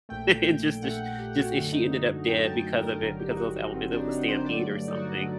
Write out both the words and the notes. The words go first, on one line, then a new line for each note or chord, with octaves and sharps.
and just just just and she ended up dead because of it, because of those elephants. It was a stampede or something.
A#1 A#2 A3 G5
G5
A#1 A#2 A3 F#5
G4
F#4
F#2 D3 A3
D#4
F#4
F#2 D3 A3 G5
A5
G5
A#4
G1 G2 D3 F#3 A#4
G4
D#4
F#4
D#4
G1 G2 D3 F#3 C4
D4
D#4
C5
G2 D3 F#3 A3 D5
D#4
F#4
D3 F#3 A3